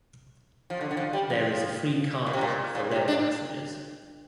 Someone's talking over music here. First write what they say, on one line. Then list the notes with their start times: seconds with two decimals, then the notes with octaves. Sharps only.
There is a free car park for rail passengers.
0.70 F3
0.81 D3
0.91 D3
0.97 F3
1.13 G3
1.30 F3
2.26 A#2
2.33 C3
2.41 A#2
2.75 A#2
2.91 C3
3.08 D4